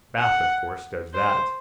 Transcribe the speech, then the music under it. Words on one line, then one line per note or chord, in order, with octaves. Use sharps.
Bath of course does that.
F#5
C5